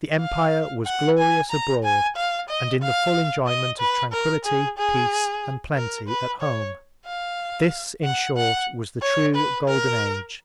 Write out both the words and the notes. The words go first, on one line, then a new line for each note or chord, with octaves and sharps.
The Empire was glorious abroad, and in the full Enjoyment of Tranquility, Peace and Plenty, at home: This, in short, was the true golden Age.
F5
F#5
G#5
A#5
G#5
F5
D#5
F5
D#5
B4
A#4
G#4
G#4
A#4
B4
C#5
F5
F#5
F#5
C#5
B4
A#4